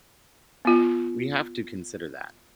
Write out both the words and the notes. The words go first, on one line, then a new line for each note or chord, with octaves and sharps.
We have to consider that.
B3 F4